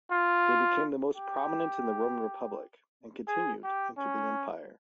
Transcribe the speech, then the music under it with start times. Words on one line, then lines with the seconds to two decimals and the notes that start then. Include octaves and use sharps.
They became most prominent in the Roman Republic, and continued into the Empire.
0.11 F4
1.17 G4
3.28 G#4
3.63 G4
3.98 C#4